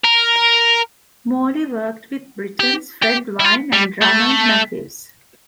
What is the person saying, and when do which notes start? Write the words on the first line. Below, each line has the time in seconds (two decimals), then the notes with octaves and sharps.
Morley worked with Britons Fred Vine and Drummond Matthews.
0.04 A#4
2.60 G4
3.02 G4
3.40 E4
3.44 F4
3.73 G3
4.02 A3